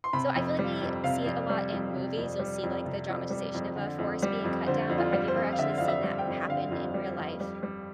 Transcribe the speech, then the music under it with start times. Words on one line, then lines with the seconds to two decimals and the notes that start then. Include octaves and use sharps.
So I feel like we see it a lot in movies. You'll see, like, the dramatization of a forest being cut down, but have you ever actually seen that happen in real life?
0.04 C6
0.13 C3 B5
0.35 F2
0.59 G3
0.82 F2
1.04 C3 F5
1.26 F2
1.50 G3
1.72 F2
1.94 C3
2.17 F2
2.39 G3
2.63 F2
2.85 C3
3.09 F2
3.30 G3
3.54 F2
3.76 D3
3.99 F2
4.23 G3
4.44 F2
4.67 D3 C5
4.90 F2
4.98 F4
5.13 G3
5.28 C5
5.36 F2
5.52 F5
5.59 D3 E5
5.78 F2 F5
5.88 E5
6.04 G3
6.18 G5
6.27 F2
6.49 D3 F5
6.72 F2
6.94 G3
7.18 F2
7.40 G3
7.63 G3